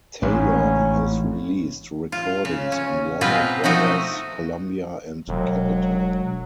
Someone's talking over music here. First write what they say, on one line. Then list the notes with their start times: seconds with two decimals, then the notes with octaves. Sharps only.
Taylor has released recordings on Warner Brothers, Columbia, and Capitol.
0.22 A1 G#2 C#4
2.12 F4
2.45 C#3
2.72 C#4
3.21 B2 G#3 A#3 C4 F4 B4
3.64 F3 A3 D#4 F#4 D#5
5.28 E1 F#3